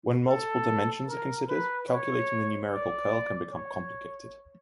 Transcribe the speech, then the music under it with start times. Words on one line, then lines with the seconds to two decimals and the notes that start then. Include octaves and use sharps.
When multiple dimensions are considered, calculating the numerical curl can become complicated.
0.26 A4
1.07 A#4
1.48 B4
1.88 C#5
2.69 D5
3.51 C#5